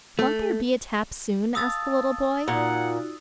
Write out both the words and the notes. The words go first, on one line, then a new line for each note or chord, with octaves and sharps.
"Won't there be a tap soon?" asked the little boy.
A3
F5 A5 D#6 E6 A6
A#2 D#4 F4 F#4 F#5